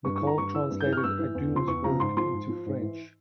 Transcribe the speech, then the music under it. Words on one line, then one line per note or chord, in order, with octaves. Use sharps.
Nicole translated Adoum's work into French.
G2 C#6
C#6
E3
A#5
G2 C#6
E3 E6
G2
G6
E3
C#6 F6
G2 E6
E3
E2
C#3 F3 C6
E2 C#6
C#3 F3 A#5
G#2 C6
F3 C6
G#2
F3
G#2
E3